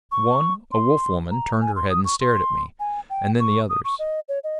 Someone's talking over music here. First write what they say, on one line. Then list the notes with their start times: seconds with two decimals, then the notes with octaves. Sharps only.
One, a Wolf-woman, turned her head and stared at me, and then the others.
0.12 C#6
0.72 C6
1.31 A#5
1.61 G#5
1.76 C6
1.90 D#6
2.05 C#6
2.21 C6
2.80 G#5
3.10 G5
3.40 C#6
3.70 D#6
3.85 C#6
3.99 D#5
4.29 C#5
4.44 D#5